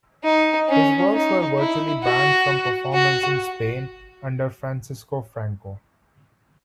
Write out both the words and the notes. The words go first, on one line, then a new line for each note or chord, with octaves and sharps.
His works were virtually banned from performance in Spain under Francisco Franco.
D#4
C#4
D#4
E4
F#4
F#4